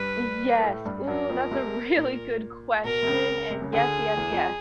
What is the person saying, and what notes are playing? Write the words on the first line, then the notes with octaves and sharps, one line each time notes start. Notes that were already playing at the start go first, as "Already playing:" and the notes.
Yes, ooh, that's a really good question, and yes yes yes.
Already playing: G2 G3 B4
A#3
A2 A3
G2 G3
F#2 F#3 A#4
F2 F3
C2 C3
A#2
B2 A#4
C3
C#2 C#3
C3
C#3
D2 D3 G#4
E2 E3
F2 F3